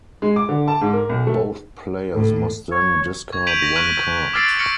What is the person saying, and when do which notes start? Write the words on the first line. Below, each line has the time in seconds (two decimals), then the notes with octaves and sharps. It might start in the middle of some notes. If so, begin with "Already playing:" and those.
Both players must then discard one card.
0.22 G#3
0.36 D6
0.49 D3
0.68 A5
0.81 G#2
0.93 A#4
1.09 B1
1.27 A3
2.15 A2 A4
2.71 C#5
3.33 C#6 G#6
3.47 G6 B6 D7 D#7 F7 F#7
3.62 A#6
3.76 C#6 F6 F#6 B6 D#7 F#7
4.33 D6 E6 F6 A6 C7 D7
4.59 C#6 F6 A#6 C#7 F#7